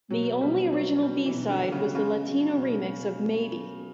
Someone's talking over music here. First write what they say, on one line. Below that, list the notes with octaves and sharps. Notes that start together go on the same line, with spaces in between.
The only original B-side was the Latino remix of "Maybe".
B2 F#3
B2 G3
F#3 B3
F#3 G3
E3
B2
D3
B2
C#3
C#3 B3
F#3
B2
B2
B3
F#3